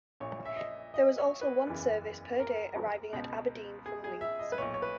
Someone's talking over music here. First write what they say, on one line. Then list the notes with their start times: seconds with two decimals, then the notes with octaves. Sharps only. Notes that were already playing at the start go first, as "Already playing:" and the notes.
There was also one service per day arriving at Aberdeen from Leeds.
0.20 A#1 A#2 C#5
0.45 E5
0.56 D#5
0.94 D#5
1.18 C#5
1.41 B4
1.66 F#1 E2 C#3 E3
2.40 A#4
3.13 C#2 B2
3.86 G#4
4.04 G#4
4.21 E5
4.39 D#5
4.52 B4
4.58 B1 A#2 C#5
4.74 C#5
4.82 B4